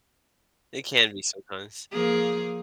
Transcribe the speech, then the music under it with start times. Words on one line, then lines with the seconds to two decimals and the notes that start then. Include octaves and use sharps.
It can be sometimes.
1.92 F3 A#3 G#4